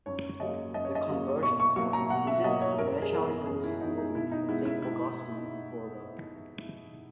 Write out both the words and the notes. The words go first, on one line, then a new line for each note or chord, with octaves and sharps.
The conversions were completed at Fairchild-Hiller's facility in Saint Augustine, Florida.
F#2 C#5
C#3 F#3 A#3 D#5
F#2 D#5
C#5
D#5
C#3 F#3 A#3
B2 C#6
C#6
F#3 A#3 C#6
A#5
B2 F#5
E5
F#3 A#3 D#5
C#5
F#2 A#4
G#4
E3 B3 A#4
F#2 G#4
E4
E3 B3 D#4
D#4
B2 E4
D#4
G#3 B3 E4
E4
B2 E4